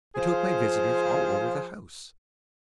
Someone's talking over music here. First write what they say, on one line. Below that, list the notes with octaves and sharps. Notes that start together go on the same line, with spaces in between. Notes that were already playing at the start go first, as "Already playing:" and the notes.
I took my visitors all over the house.
F3 F4 G#4 C5